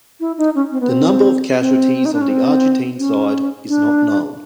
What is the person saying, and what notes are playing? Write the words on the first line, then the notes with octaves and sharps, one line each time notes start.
The number of casualties on the Argentine side is not known.
E4
D#4
C#4
C4
B3
C4
C4
D#4
D4
C#4
C4
C#4
D4